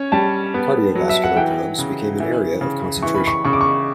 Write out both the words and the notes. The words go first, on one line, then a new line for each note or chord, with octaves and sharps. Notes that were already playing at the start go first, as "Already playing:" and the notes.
Cardiovascular drugs became an area of concentration.
Already playing: C#4 C#5
G3 A5
B3
F#3
E5
F#5
E3 G5
C#3
E3
C#3
E3 C#6
B5
C#6
C#3 C#6
D6
C#6